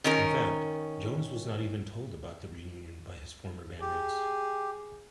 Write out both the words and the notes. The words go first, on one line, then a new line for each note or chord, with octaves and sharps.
In fact, Jones was not even told about the reunion by his former bandmates.
D#3 C#4 A#4
G4 G#4